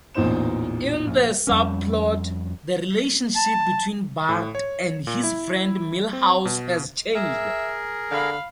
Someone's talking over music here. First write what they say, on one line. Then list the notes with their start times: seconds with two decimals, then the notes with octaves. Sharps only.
In the subplot, the relationship between Bart and his friend Milhouse has changed.
0.15 A1 E2 A#2 D#4 C5 E7
1.07 A#1
1.47 F2 G3 C#4
3.36 A5
4.29 A2
4.55 C#5
5.07 A#2
5.24 E4
6.13 C4
6.45 B2
7.15 G#4 A#4 E5
8.11 D3 F5 B5